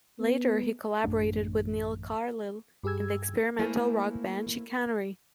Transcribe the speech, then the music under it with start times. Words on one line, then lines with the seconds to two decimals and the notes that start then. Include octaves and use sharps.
Later he collaborated with Neil Carlill in the experimental rock band Chicanery.
0.20 B3
1.04 A1 F#2 A3 D4
2.83 G2 G4 G#4 E6 G#6
3.59 A3 A#3 E4 A#4 C5 G#5